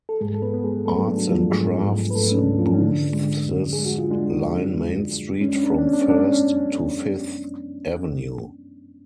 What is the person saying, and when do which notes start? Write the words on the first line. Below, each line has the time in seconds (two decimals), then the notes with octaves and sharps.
Arts and crafts booths line Main Street from First to Fifth Avenue.
0.09 A4
0.21 G#2 G#3 G#4
0.34 A4
0.42 B3 B4
0.54 B3
0.64 G#3 G#4
0.85 F#3 A3 A4
1.07 D4
1.18 F#3
1.28 F3 F4
1.51 G#2 G#3 G#4
1.83 G#2
2.11 B4
2.15 G#2 A3 A4
2.32 C#4
2.37 D4
2.48 G#2
2.59 F3 F4
2.74 C#4
2.81 D3 D4
3.13 G#3
3.46 F2
3.73 G#4
3.78 G#3
3.85 F#4
3.98 F4
4.11 G#3 D4
4.43 F2
4.76 G#3
5.08 F2
5.41 G#3 C#4
5.49 D4
5.56 C#4
5.64 D4
5.71 B3 C#4
5.78 D4
5.87 C#4
5.93 D4
6.01 C#4
6.06 G#3 D4
6.17 C#4
6.25 D4
6.32 C#4
6.38 F#2